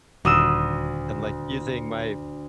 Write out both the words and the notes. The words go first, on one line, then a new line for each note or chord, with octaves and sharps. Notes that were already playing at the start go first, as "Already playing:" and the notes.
And, like, using my
D#1 D2 D#6 E6